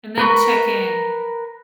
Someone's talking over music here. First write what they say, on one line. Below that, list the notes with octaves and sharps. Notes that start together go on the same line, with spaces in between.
And then check-in.
A#4 B4 C#6